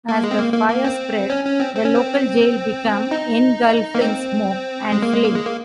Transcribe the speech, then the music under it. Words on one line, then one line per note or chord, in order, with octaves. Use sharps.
As the fire spread, the local jail became engulfed in smoke and flame.
A#3
G#3
C4
A#3
A#3
A#3
C4
C#4
C#4
C4
C4
C#4
C4
D#4
A#3
C4
G#3
A#3
G#3
A#3
G#3
A#3